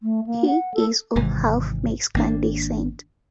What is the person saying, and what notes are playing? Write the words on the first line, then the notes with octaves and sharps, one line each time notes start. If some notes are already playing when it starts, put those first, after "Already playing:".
He is of half Mexican descent.
A3
A#3
F#5
A4
G#1 G#2 C3 E3
G#1 A#3 D4